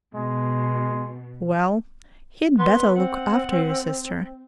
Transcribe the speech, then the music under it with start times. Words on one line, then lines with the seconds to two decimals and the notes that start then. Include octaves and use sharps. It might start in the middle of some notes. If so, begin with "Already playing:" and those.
Well, he'd better look after your sister!
0.15 B2 G#3
2.59 B3 C6
2.96 C4 F#5